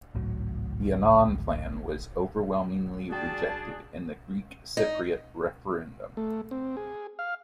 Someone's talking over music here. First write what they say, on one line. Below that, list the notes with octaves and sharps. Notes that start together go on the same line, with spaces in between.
The Annan Plan was overwhelmingly rejected in the Greek-Cypriot referendum.
G#1 C#2 A2 F#3
G3 D4 F#4 G#4 G5 A5
D#4
A3
C4
G#4
F5